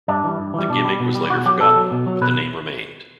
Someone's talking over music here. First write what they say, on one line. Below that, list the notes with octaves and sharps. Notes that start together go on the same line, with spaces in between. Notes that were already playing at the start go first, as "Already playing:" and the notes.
The gimmick was later forgotten, but the name remained.
G2 D4
E3 G3
G2
E3 G3
B2 D4
G3
B2
G3
B2 F#4
F#3 G4
B2 A4
F#3
B2
F#3
B2 B4